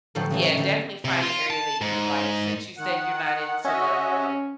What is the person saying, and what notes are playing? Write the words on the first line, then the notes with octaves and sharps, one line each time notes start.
Yeah, definitely find a area that you'd like since you said you're not into the whole,
A2 D3 F3 F#3 G4 A4
C#3 E3 F#3
D3 F#3 G3
C3
F4
A5
G#2
D#3 F#5
C#4 F#4 D#5 E5